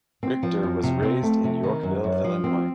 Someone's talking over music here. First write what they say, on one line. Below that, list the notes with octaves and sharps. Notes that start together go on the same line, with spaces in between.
Richter was raised in Yorkville, Illinois.
C4
F3
F2
C3
C4
A3
C3
D#3
F#2
F#2
F3
C4